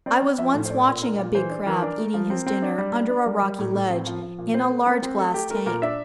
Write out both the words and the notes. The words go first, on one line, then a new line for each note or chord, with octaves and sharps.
I was once watching a big Crab eating his dinner under a rocky ledge in a large glass tank.
C4 D5
C4
F3 E5
A2
C5
A3 D5
A#2
D4 A#4
A#2
E3 C5
D4
E3 A#4
D4
A3
F3
C4
C4
D4
G3
D4
D4
G3 A#4
G3
A2
A2
C4
F3
F3
A#2
C4 C5
A3
C4 A#4
C4
A3 A4
A3 G4
A3 A#4
A#2 A#4
D4 E5